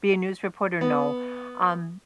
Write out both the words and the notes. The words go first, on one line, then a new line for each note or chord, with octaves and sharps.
Be a news reporter, no, um,
B3